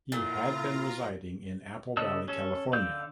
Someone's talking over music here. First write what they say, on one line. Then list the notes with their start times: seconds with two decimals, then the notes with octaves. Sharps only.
He had been residing in Apple Valley, California.
0.12 A#2 D3 E4 F4 A#5
1.97 C#3 D5 D#5 A5 E6
2.28 C#4 A4
2.73 D3 D5 F5 E6 G6